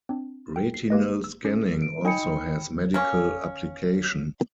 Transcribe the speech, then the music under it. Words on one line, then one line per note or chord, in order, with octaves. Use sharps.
Retinal scanning also has medical application.
C4 D4
G5
C7
A#3 G4 B4 D#5
E6
C#4 G#4
D7
D#4 D#5 G5 G#5 B5 C#7
A#3 C#4